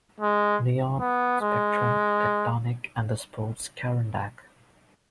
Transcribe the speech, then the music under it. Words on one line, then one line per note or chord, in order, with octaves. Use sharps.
Neon, Spectrum, Techtonic and the Sports Karandak.
G#3
B3
G#3